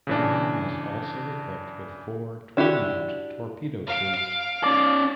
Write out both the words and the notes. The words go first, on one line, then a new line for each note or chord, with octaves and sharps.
"Benham" was also equipped with four twin mount torpedo tubes.
C#3 E3 D4
D4 E4 F#4 G4
F5 D7
C#4 D5